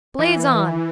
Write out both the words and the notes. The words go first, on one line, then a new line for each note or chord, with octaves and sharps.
Blaze on.
E3